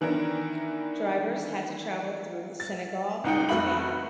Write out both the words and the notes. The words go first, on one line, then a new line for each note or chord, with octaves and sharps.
Drivers had to travel through Senegal once again.
D#3 E3 B3 D4 A#4
A6
C#2 D#4 F#5 G5
F1 A3 F#4 B5 F#7